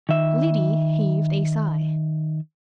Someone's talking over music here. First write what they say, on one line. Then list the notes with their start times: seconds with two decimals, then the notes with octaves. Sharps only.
Liddy heaved a sigh.
0.09 D#3 E5